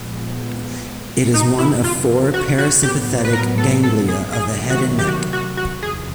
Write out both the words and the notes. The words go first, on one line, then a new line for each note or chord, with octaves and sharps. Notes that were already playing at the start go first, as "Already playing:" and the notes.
It is one of four parasympathetic ganglia of the head and neck.
Already playing: A#2 F3 G#3 B3
F#2 C#3 E3 D#4
E4
F4
F#4
F#4
A2 F#3 B3 G4
B4
A#4
A4
A4
G#4
C3 D#3 F#3 A3 G#4
F#4
G4
F#4
F#4
F#4
E2 C3 F3 G#4